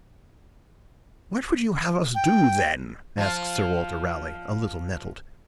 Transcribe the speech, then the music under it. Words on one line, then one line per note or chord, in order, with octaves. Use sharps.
"What would you have us do, then?" asked Sir Walter Raleigh, a little nettled.
G5
F3 F4